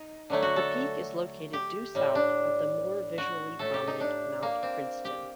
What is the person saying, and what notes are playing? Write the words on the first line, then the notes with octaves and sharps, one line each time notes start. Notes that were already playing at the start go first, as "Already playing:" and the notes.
The peak is located due south of the more visually prominent Mount Princeton.
Already playing: D#4
D3 F#3 A3
F#4
A4
G4
A2 G3
D4
F#4
A2 A3 A4
G4
D#4
D4
A#3
C4
G4